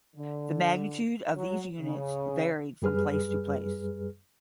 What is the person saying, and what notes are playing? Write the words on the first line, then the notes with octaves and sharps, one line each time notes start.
The magnitude of these units varied from place to place.
D3
F#3
C#3
F#2 G3 G#4 B4 F6